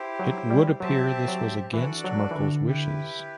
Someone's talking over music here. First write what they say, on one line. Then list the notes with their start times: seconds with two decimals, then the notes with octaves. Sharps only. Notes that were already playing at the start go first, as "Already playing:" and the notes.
It would appear this was against Merkle's wishes.
Already playing: E4 G4 C5
0.19 F#3
0.50 G3
0.80 F#3 C4 G4 C5 E5 A5
1.28 F#3
1.73 E3 D4 F#4 A4 D5
2.04 F#3
2.31 E3
2.36 D3
2.66 E4 G4 B4